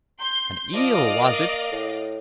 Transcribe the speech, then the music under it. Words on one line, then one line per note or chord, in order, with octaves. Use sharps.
An eel, was it!
C6 G6
F3 D5 D#5 F5
A#3
A2